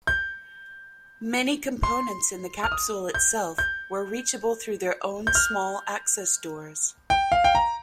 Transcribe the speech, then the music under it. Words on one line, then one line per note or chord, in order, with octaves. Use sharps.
Many components in the capsule itself were reachable through their own small access doors.
G6
C6
F6
D#6
G6
G6
G6
F6
G5
F5
G5
A#5